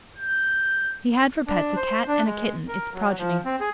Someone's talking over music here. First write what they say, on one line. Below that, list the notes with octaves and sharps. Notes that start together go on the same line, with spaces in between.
He had for pets a Cat and a kitten, its progeny.
G6
D4
C5
D4
G#3
A#4
F#3
F3
C4
G#4